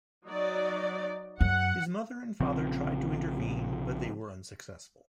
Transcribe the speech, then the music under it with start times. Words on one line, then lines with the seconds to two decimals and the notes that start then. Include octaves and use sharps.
His mother and father tried to intervene, but they were unsuccessful.
0.24 F#3 D#4 D5
1.41 F#2 F#5
2.40 A#1 C#3 F3 C4